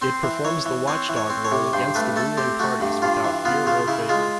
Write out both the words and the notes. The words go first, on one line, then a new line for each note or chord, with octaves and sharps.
It performs the watchdog role against the ruling parties without fear or favor.
C4 C5
E3
E3 C#5
E3
C4 C#5
E3
C#5
C4
C#5
C3
G2 C5
A3 B4
A3 A4
C4 G4
A3 F#4
G2
G2 F4
E3
B3 F4
C#3 F4
C#3 E4
G#3 F4